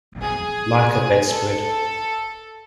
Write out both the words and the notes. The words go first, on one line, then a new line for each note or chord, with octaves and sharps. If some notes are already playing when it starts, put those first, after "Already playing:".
Like a bedspread.
G#4
A4